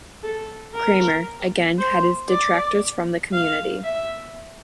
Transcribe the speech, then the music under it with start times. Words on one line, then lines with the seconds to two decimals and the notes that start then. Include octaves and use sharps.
Kramer, again, had his detractors from the community.
0.23 A4
0.75 A#4
1.79 C5
2.30 D5
3.33 F5
3.84 E5